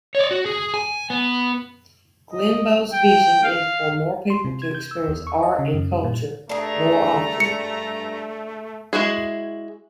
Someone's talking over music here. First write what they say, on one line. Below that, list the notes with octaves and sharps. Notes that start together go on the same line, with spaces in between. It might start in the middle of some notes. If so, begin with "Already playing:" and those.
Glenbow's vision is for more people to experience art and culture more often.
C#5 D5
F#4
G#4
G#5
B3
D#5
G5
F5
C6
C3
G#6
G6
E6
E2
C#6
D#5
C#3
F#2
G3
A#2
G2 A3 D4 G#4 A#5
C#7
G#3 E4 F#4 G#4